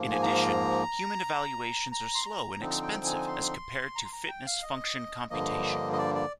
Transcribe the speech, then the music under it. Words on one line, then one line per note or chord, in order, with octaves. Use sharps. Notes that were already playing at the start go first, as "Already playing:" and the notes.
In addition, human evaluations are slow and expensive as compared to fitness function computation.
Already playing: G#2 F3 A#3
G#5
A#5
A#5
C6
A#5
D3 F3 C4 D#4
G5
G#5
C6
A#5
C6
A#5
G5
F5
D#5
G2 D3 F3 A#3 D#5
D#5
D5
D5